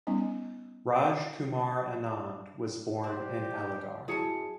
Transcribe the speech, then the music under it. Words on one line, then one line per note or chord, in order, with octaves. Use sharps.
Raaj Kumar Anand was born in Aligarh.
G3 B3 C#4 D#4
D4 G4 C5
F#2 E4 F#4 G#4 C#5 A5 C#7